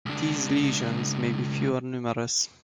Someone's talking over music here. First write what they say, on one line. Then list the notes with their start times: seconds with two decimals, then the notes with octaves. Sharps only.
These lesions may be few or numerous.
0.06 C#2 D4